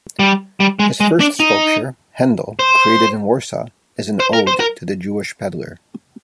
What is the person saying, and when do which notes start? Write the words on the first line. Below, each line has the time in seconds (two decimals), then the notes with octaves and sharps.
His first sculpture "Hendel," created in Warsaw, is an ode to the Jewish peddler.
0.19 G3
0.60 G3
0.79 G#3
1.00 G#3
1.20 D4
1.40 D#4
2.59 C5
4.20 C5
4.33 A#4
4.47 C5
4.60 A#4